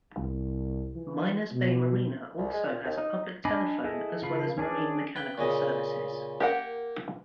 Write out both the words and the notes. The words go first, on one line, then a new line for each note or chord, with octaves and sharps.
Minor's Bay marina also has a public telephone, as well as marine mechanical services.
C2
E3
B2
C2
G#3
A#2
D#2
D#4
D4 D#5 G#5 B5 D6
E4 G#4 A4 D#5
C#3 F4 A4 F5 B5
C#4 D4 G#4 D5
B4 G5
A#2 C#3 D#5
A#3 G4 A#4 F#5